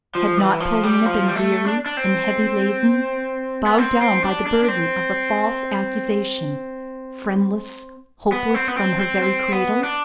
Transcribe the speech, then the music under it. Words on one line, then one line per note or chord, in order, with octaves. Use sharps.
Had not Paulina been "weary, and heavy laden," bowed down by the burden of a false accusation, friendless, hopeless, from her very cradle?
F3
E3
F3
G3
F3
G3
A3
D4
D4
C4
B3
C4
C4
D4
D4
D4
C4
B3
C4
B3
C4
C4
C4
B3
D4